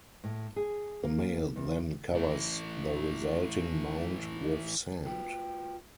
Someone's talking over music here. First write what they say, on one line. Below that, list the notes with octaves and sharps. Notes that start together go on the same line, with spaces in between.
The male then covers the resulting mound with sand.
A2
G#4
A#3
E2
E3 A3
F4 F#4 B4 G5